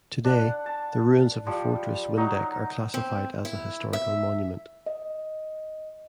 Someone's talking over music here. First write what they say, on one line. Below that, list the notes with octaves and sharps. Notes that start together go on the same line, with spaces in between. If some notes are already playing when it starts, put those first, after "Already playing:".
Today, the ruins of a fortress Windeck are classified as a historical monument.
D4 F#5
A5
F3 G3
F#3 D#4
C4
E4
E5
D#5